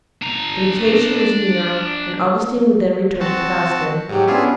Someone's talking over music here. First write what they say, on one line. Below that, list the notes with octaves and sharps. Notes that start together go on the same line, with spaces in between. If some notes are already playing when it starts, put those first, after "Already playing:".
The vacation was near, and Augustine would then return to Tagaste.
D4 A#5
C4 F#4 A5
G#2 F#3 G4
B3 C#4 D4 E4 F4 G#4